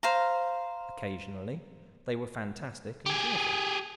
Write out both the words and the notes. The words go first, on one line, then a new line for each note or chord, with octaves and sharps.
Occasionally they were fantastic and cheerful.
C5 F5 A#5
G4 G#4